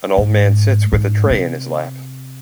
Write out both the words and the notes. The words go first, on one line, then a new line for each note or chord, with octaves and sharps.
An old man sits with a tray in his lap.
G#2
G#2
C3